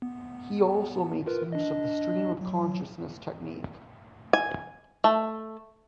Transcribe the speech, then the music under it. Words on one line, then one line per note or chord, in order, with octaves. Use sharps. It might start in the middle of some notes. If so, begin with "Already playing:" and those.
He also makes use of the stream of consciousness technique.
B3
F4 A#4 B4
D4 D#5
F#3
G#5
A3